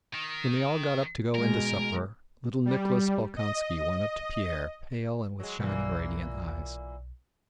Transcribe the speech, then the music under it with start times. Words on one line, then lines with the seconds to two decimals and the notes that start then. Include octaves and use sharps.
When they all got up to go in to supper, little Nicholas Bolkonski went up to Pierre, pale and with shining, radiant eyes.
0.14 D#3
1.35 B2 G#3 A#4
2.65 G3
3.36 D#5
5.40 F#3 G#3
5.59 B1 A#2 E3 A#3